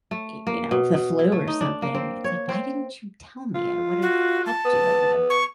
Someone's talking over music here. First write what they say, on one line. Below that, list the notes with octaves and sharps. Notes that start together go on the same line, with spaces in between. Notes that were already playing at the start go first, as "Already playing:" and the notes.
y you know, the flu or something, it's like, "Why didn't you tell me? I would've helped you. I would've,
A3
A#3
B2
B2
E4
A3
D#4
D4
A#3
C4
C#5
C4
F4
F#4
A5
B3
C#6